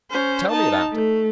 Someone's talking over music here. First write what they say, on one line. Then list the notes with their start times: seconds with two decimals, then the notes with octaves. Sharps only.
"Tell me about it."
0.10 C#4 C5
0.51 D#4 A5
0.92 A3